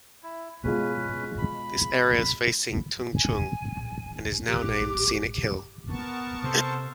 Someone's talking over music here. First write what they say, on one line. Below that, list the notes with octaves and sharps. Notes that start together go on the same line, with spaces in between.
This area is facing Tung Chung and is now named "Scenic Hill".
E4
B2 G#3 C#4 F4 B4
B5
G#5
A#1 E2
G4 F#6
A#1 D6
G#1
B3 A#4 A5 C#6
C3 A4 C5